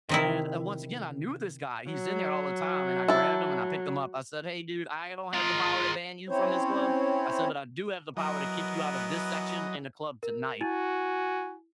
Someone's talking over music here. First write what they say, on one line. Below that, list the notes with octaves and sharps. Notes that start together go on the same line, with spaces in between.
And, uh, once again, I knew this guy. He's in there all the time, and I grabbed him, and I picked him up. I said, "Hey, dude, I don't have the power to ban you from this club." I said, "But I do have the power to kick you out of this section in the club tonight."
C3 D#3 E4
F#3
E4 A4
G#3 F4 A#4
C4 C#4 E4 C5 C#5
E3 F#3 B3 A#4 D#5
A#4
E4 F#4 G#5